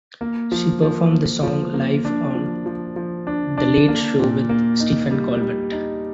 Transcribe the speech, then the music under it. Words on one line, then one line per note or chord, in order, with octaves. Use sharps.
She performed the song live on "The Late Show with Stephen Colbert".
A#3
F3
F3
A#3
F3
A#3
D4
F3
F3
F3
D4
D4
A#3
A#2
A#3
D#4
G3
G3
D#4